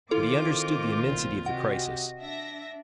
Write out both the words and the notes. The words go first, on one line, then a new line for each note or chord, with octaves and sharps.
But he understood the immensity of the crisis.
D#3 C4 E4 F4 A4 D6
B1 A#2
C3 F#4 G4 D#5 F#5
D4 E5 A#6